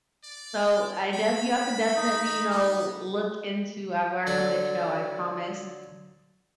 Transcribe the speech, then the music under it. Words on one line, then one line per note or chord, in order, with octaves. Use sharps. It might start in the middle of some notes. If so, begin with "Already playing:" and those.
So, I def you have to definitely, you know, look into I've learned from this show, I promise
D5
B5
D#4
B3
D3 F#3 D4